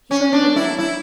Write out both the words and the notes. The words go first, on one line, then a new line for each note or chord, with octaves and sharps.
He showed them again.
C#4
D4
E4
E4